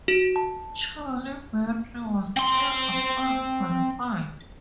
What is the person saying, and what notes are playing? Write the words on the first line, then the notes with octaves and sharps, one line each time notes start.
Charlie battery was air assault qualified.
F#4
A5
C4 C6